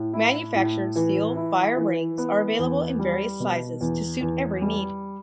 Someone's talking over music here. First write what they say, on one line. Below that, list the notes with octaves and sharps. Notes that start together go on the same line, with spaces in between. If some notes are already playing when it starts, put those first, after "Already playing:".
Manufactured steel fire rings are available in various sizes to suit every need.
Already playing: A2
E4
A2
E3
E4
E3
B3
E2
G3
B2
E2
E2
G3